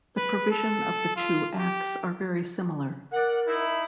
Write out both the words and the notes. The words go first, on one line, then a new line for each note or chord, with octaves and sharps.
The provisions of the two Acts are very similar.
B4
A4
F4
G4
A#4 D5 F#5
D#4 E4